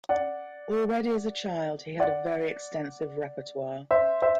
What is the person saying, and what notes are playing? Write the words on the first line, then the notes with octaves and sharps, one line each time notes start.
Already as a child he had a very extensive repertoire.
D5 F#5
D5 F#5
C5 E5
C5 E5